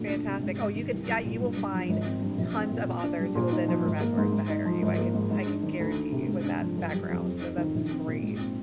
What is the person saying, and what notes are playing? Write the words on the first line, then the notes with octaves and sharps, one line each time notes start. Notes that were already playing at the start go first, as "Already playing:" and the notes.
fantastic. Oh, you could Yeah, you will find tons of authors who will bend over backwards to hire you, I can I can guarantee you, with that background, so that's great,
Already playing: D2 A#2
D4
C3
G#2
G#2
D#3
C2
C2
A#2
G2
G2
F3
G#1
C4
G2
A#1
C4
A#2
A#2
D4
G3
A#2
D#4
F3
G#1
A#3
G#2
G#2
D#4
F3
G#1
A#3
G#2
G#2
D4
D#3
D2
D2
C3
G#2
D4
F3
G1
G3
F2
F2
D#4
D#3
A#1
C4
A#2
G#2
C4